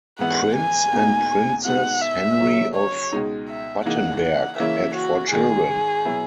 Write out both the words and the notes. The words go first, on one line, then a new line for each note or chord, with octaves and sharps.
Prince and Princess Henry of Battenberg had four children.
G#2 E3 B3 E4 F#5
G#5
E2 B2 A#3 D#4
B2 G#3 B3 D#4 F#5
E5
C#3 F#3 C#4
C#5
C#2 B2 G#3 D#4
E5
C#3 E3 A#3 D#4 F#5
F#5
C#3 E3 A#3 C#4 E4 E5
F#4
G#2 D#3 G#3 G#4
B2 F#3 B3 E4